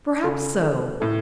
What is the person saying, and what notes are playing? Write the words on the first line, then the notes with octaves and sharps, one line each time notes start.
'Perhaps so.
C#3 A4
A4
A2 A4